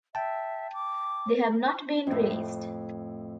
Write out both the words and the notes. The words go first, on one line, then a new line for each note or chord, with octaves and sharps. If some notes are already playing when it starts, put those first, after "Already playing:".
They have not been released.
E5 G5 A5
D6
F2 A2